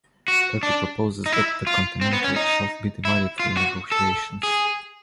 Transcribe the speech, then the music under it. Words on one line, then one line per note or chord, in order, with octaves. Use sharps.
Turkey proposes that the continental shelf be divided through negotiations.
F#4
D4
D#4
E4
F4
C4
B3
C#4
D#4
E4
F4
F#4
A4
G#4